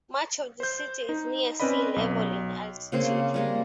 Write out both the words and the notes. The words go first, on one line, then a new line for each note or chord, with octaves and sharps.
Much of the city is near sea level in altitude.
C5 G6
D#4
C4 C#4 B4 D5 D#5 B5
B1
C#3 A#3 C4 C5
G3 G#3 A#3